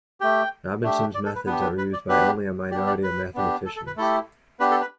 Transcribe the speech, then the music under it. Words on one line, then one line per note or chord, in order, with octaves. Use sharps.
Robinson's methods are used by only a minority of mathematicians.
A3 G4 G5
A3 D4 G4
D5
A4
B4
B3 D4 G4 B4
B4
B4
D5
B3 D4 G4 B4
B3 D4 G4 D5
D5
B4
B3 D4 G4
A4
A4
B4
A3 E4 G4 A4
B3 D4 G4 B4
A4
B4